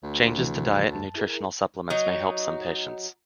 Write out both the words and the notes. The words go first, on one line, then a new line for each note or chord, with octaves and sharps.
Changes to diet and nutritional supplements may help some patients.
D2
C3 E3 F3
F#2 A5
E4 G#4 A#4
F#3 D#4